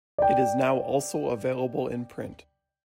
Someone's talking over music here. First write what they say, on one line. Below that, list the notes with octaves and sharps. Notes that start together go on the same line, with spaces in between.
It is now also available in print.
D5 G5